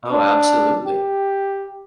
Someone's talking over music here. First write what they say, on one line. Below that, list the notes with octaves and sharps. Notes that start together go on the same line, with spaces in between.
Oh, absolutely.
D4
G4